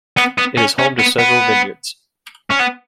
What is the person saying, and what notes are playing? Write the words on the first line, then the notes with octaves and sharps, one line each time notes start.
It is home to several vineyards.
B3
B3
C#4
C#4
B3
B3
C#4
B3